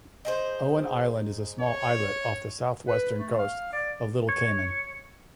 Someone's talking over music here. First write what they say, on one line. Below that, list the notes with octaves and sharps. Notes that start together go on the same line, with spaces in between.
Owen island is a small islet off the south-western coast of Little Cayman.
D#4 G#4 C5
C#5
B4
A3
F5
D5
C#5